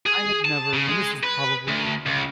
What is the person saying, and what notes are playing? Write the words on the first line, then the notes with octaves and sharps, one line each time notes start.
I have never, and this was probably
G#4
A5
C#3
G#3
B4
D2
C#2